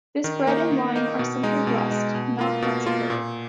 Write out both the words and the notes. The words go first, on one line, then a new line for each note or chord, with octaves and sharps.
This bread and wine are simply blessed, not consecrated.
D#3
A#3 D#4
D#3
A#3 D#4
B2
G#3 D#4
B2
G#3 D#4
B2
A#3 F4
B2
A#3 F4
A#2